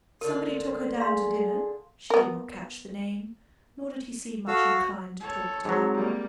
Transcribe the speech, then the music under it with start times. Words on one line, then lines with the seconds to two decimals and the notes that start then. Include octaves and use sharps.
Somebody took her down to dinner; she did not catch the name; nor did he seem much inclined to talk to her.
0.21 D3 F4 A#4
1.00 G#4 F5 C6
2.10 B3 A#4
4.47 F#4 A4 F5 E6
5.21 A4 C#5
5.65 G#2 F#3 G#3 C4 G#4
5.94 G3 A#3